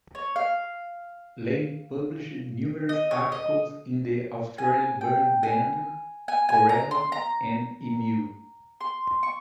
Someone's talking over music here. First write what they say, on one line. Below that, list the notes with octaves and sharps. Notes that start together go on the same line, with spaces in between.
Lane published numerous articles in the "Australian Bird Bander", "Corella" and "Emu".
C#5
F5
D#5
C#5
D#5
G#5
G5
G#5
G#5
G#5
A#5
C6
A#5
C6
C#6